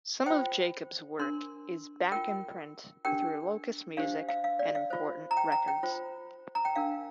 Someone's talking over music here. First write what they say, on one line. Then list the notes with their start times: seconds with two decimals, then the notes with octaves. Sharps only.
Some of Jacobs' work is back in print through Locust Music and Important Records.
0.26 F4 C5 G5
1.19 D4 A#4 C6
2.12 F4 A#4 G5
3.05 D4 G4 A#4 G5
3.97 D4 G4 C5 F5
4.29 F5
4.44 F5
4.59 D5
4.75 F5
4.90 F4 C5
5.31 A#5
5.37 G5
5.52 A#5
5.68 G5
5.83 F4 C5
6.55 A#5
6.65 G5
6.76 D4 A#4 F5